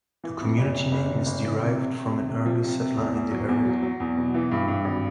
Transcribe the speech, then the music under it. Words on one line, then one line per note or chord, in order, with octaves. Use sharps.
The community name is derived from an early settler in the area.
E3
F2
F#1
C3
F#1
C3
F#1
E3
C3
C3
C3
C3
C3
F3
C3
C3
E2
E2
F#3
E2
F#3
F#3
E2
B2
E3
G2
G2
G#1